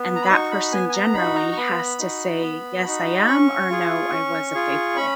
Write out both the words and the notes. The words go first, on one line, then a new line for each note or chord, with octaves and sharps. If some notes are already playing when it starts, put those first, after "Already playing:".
And that person generally has to say, "Yes, I am," or "No, I was a faithful."
Already playing: B3
A#5
B5
D#4 F#4 C#6
B5
B3 G#5
G#5
A#5
D#4 F#4 B5
A#5
C#6
B3 B5
D#4 F#4
B3
D#4 F#4
C#4 C#6
F4 G#4
C#4
F4 G#4
C#4 B5